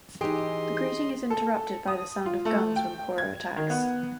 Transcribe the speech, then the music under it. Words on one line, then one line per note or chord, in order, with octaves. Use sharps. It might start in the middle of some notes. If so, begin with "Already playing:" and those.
The greeting is interrupted by the sound of guns when Poro attacks.
E3 D#4 G4 G#4 D#5 C6
A4
D#6
F4
A3
G5
G#6
D#3
B3